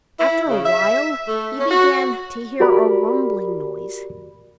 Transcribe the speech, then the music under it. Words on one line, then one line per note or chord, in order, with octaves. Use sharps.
After a while he began to hear a rumbling noise.
E4
C#3
E5
A3
C#4
F#4
F#4 G4 A#4 D5 B5